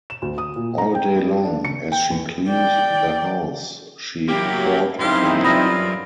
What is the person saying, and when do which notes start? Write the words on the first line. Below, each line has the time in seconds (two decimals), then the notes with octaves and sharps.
All day long, as she cleaned the house, she thought of him.
0.10 E7
0.22 D2
0.38 D#6
0.56 A#2
0.78 A#5
0.95 G5
1.16 G3
1.44 D4
1.65 C#7
1.92 G5
2.10 E2
2.49 D5 G5
4.28 F#3 A#3 E4 G4
4.99 F#2 C4 D#4 E4 G4 F5 C6
5.45 E3 G3 F4 B5 D#6 A#6